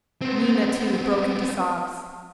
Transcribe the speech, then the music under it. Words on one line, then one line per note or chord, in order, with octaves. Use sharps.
Nina, too, broke into sobs.
B3 C4